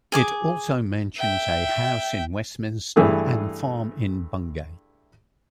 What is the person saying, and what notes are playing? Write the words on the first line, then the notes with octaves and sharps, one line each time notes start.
It also mentions a house in Westminster and farm in Bungay.
G#4 G#5 D6
E5 G5
G2 E3 A3 G#4